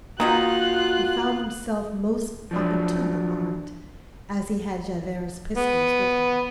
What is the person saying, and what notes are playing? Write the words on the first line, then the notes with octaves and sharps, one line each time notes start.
He found himself most opportunely armed, as he had Javert's pistols with him.
D#3 A#3 B3 D#4 F4 F#4 F#6
F3 F#3 D4
B3